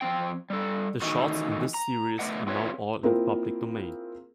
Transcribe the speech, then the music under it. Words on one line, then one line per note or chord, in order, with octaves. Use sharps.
The shorts in this series are now all in the public domain.
F3 G#3 C4 G5
G3 A4
D#3 E3 A3 D#4 F#4
A#5
A3 B4 D5 D#5 F#5
C4 F4 B4 C#5 E5
A#3 C4 E4 F4 G#4 A#4